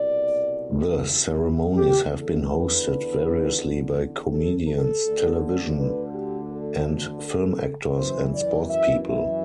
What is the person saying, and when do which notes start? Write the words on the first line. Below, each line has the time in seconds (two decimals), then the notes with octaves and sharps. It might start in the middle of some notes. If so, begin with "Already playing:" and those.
The ceremonies have been hosted variously by comedians, television and film actors, and sportspeople.
Already playing: C2 B2 D5
1.38 E4
1.75 G4
2.11 E2 D3 A4
2.49 B4
4.31 A4
4.67 A4
5.04 D2 D3
5.77 B4
6.14 G4
6.51 A4
7.24 A4
7.97 F#2 E3 C5
8.34 D5
8.70 E5
9.06 E5